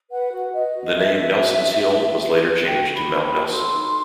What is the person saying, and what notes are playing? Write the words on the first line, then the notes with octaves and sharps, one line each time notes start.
The name 'Nelson's Hill' was later changed to Mount Nelson.
B4 F#5
F#4
B4 D#5
F#4
B4 E5
B4
F#4
F#4
B4
B4
B4
B4
F#4 G5
F#4
B5
B4
B5
F#4
A4 C6
D#4